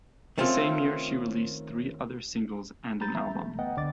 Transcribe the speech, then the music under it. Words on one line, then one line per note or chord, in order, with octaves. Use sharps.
That same year she released three other singles and an album.
D#3 A3 C4 C#4 F4
F#3 G3 A#5 B5 G6 A6
E3 A3 B3 E5 A#5
A3
D2 B3 B4 D#5 F#5 G5
C2 D3 D5 D6 A6